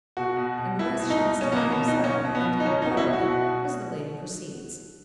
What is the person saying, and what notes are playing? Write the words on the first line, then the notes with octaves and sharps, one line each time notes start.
And less Shenstone himself--indeed both--as the lady proceeds.
B2 F#4
B2
B2
B2 E4
B2
D#4
B2
B2 C#4
B3
A#3
B2
B3
B2 D#4
B2 C#4
B2
B3
B2
D#4
B2 C#4
D#4
B2 F#4
E4
B2
F#4
B2
B2